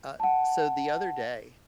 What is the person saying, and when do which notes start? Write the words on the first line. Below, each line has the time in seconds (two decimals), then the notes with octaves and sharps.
Uh, so the other day,
0.20 F#5 A5